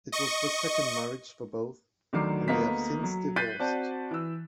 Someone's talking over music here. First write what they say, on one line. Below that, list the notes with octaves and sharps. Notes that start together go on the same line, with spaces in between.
It was the second marriage for both, and they have since divorced.
D#5 C#6
D2 D#3 F#3 D4 D6 C7
D2 A#3 B3 D#5 A#5 B6
F#3
F#6 G6 A6 B6 C7 D#7
C4 F#4 D5 A5
E3 E6